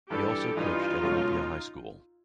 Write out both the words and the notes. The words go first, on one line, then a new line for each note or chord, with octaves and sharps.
He also coached at Olympia High School.
G2 E3 G3 G4 A4
G2 E3 G3 D#4 F4
C#2 B2 F#3 A3 C#4